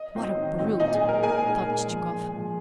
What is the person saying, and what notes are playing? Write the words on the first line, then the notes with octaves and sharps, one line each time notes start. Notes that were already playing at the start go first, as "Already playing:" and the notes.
"What a brute!" thought Chichikov.
Already playing: D#5
F#3 C4 D#4
D#3
F#3 C4 D#4
A#2 D#4 D#5
G#4
G#3 D#4
A#4
A#2 G#4 G#5
G#3 D#4
A#2
F3 G#3
A#2
F3 G#3